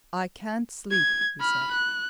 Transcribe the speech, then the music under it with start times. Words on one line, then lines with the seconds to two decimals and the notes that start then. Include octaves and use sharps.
"I can't sleep," he said.
0.91 G#6
1.40 B5 F6
1.71 F#6